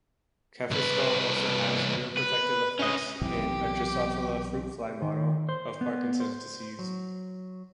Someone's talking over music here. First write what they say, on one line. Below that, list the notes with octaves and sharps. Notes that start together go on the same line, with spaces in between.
Cafestol also has neuroprotective effects in a "Drosophila" fruit fly model of Parkinson's disease.
C2 B4
B4
C#4 D#5
B1 C3 E3 G4
D#3
C5
B3
C5
F#3